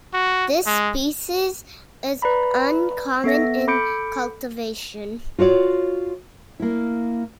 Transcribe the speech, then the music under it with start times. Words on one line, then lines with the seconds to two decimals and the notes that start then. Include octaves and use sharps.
This species is uncommon in cultivation.
0.13 F#4
0.66 G#3
2.22 B4 D5 A#5 B5
3.24 B3 A4 E5 A#6
3.67 A4 B5 D6 G6 C#7 D7
5.39 F4 F#4 C#5 D5
6.60 A#3 E4